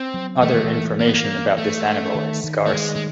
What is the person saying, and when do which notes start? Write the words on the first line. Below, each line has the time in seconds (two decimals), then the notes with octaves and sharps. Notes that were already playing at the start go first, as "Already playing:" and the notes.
Other information about this animal is scarce.
Already playing: C4
0.14 F#3
0.42 E3 A3
0.54 D#3
0.64 E3
1.00 A#3
1.08 B3
1.14 A#3
1.58 A3
2.15 D#3
2.44 D#3
2.67 A3
2.73 D#3 G#3
2.96 G#3